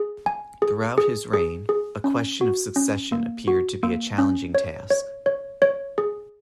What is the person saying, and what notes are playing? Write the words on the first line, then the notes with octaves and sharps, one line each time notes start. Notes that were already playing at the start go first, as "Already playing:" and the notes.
Throughout his reign, a question of succession appeared to be a challenging task.
Already playing: G#4
G#5
G#4
G#4
G#4
G#4
C#4
F#4
C#4
A#3
F#4
A#3
C#4
C#5
C#5
C#5
C#5
G#4